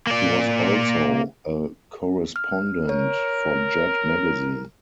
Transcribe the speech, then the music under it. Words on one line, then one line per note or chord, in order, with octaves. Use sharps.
He was also a correspondent for Jet magazine.
A#3 D5
F6
A#4 C#5